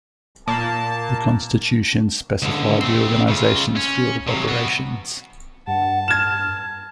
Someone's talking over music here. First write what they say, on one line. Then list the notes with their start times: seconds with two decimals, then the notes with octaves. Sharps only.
The constitution specified the organization's field of operations.
0.47 A#2 A#3 A5
2.42 C#2 D3
2.81 A3 C4
3.28 C#3 F4
3.76 C#4
4.28 C3 F#3
4.48 B3 F#4
5.67 G2 F#5 A5
6.08 F6 G#6 E7